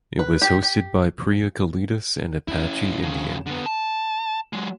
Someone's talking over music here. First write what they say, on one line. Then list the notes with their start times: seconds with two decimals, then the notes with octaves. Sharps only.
It was hosted by Preeya Kalidas and Apache Indian.
0.19 B4
0.42 G4
0.62 G4
2.48 C#4 E4
3.02 F2 C#3
3.46 D3 B3
3.66 A5
4.53 F#3 G#3